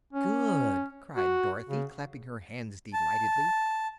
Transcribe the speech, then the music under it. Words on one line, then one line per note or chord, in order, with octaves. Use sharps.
"Good!" cried Dorothy, clapping her hands delightedly.
C#4
F#4
C#3
A5